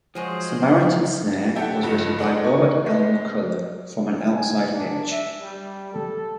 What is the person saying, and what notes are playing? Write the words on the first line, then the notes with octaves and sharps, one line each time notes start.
"Samaritan Snare" was written by Robert L. McCullough from an outside pitch.
F3 F#3 G#3 G#4 C5 C#5 D#5
E4 G4 A4 F#5
A1 G2 F3
G#3 A4 D5 D#5 F#5
A#3 C#6
G#3 B3
G#5
D4
E5
G3
A4